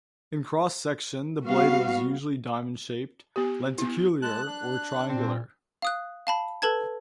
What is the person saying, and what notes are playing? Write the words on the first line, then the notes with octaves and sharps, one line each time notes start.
In cross section, the blade was usually diamond-shaped, lenticular, or triangular.
G3 B3 F#4 F5
B3 G4
B3 E4
G#3 A5 F#6
D4
A#2 C4
F5 D#6 F#6
F5 A5 B5
A4 B4 A5 G#6